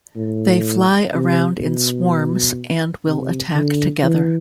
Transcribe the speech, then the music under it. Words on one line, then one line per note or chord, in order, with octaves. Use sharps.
They fly around in "swarms" and will attack together.
A2
C3
B2
C3
D3
E3